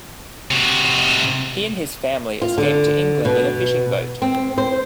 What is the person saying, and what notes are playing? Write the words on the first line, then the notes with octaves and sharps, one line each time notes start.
He and his family escaped to England in a fishing boat.
C3 F#4
F4
D3
B2
C4
C5